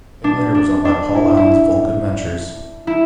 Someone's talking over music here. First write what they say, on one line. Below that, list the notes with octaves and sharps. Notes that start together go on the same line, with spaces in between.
It later was owned by Paul Allen's Vulcan Ventures.
D4
D4
D4
E4
E4
E4